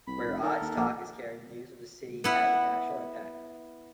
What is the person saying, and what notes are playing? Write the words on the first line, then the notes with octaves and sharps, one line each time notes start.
Where Aaj Tak is carrying news of the city having national impact.
C2 B5
F1
D#3 A4 A#4
D#2
A#1 A#3
B3 E4 F#5